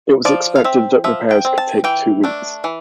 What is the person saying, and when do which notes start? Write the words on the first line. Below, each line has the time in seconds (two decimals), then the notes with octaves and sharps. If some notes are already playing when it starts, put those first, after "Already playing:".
It was expected that repairs could take two weeks.
0.25 F3 D5
0.56 F5
0.64 C4 E5
1.04 F3 E5
1.31 G5
1.45 C4
1.58 A5
1.84 E3 G5
2.23 A3 D4
2.64 E3